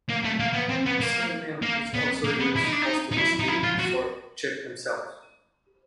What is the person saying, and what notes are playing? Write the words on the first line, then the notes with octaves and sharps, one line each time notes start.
The surname is also used posthumously for Chit himself.
A#3
A3
A#3
B3
C4
B3
A#3
A#3
B3
A#3
B3
E4
D#4
D4
D#4
D#4
E4
D#4
E4
F4
F#4